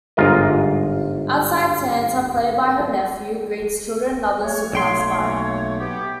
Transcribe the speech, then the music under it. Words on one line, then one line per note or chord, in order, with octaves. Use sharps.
Outside Santa, played by her nephew, greets children and others who pass by.
G1 G#2 F4 A#4 D#5
A3 A#3 C#5
B1 G5 C6
B3 G4